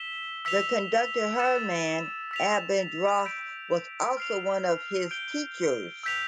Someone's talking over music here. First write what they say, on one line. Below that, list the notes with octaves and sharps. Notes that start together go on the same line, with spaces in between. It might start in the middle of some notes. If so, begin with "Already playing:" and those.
The conductor Hermann Abendroth was also one of his teachers.
Already playing: E6 B6 E7 G7
E6 B6 F7
E6 A6 E7
E6 B6 F7
E6 G6 B6 D7
F6 C7 F7
G6 D7 G7
E6 G6 B6 F7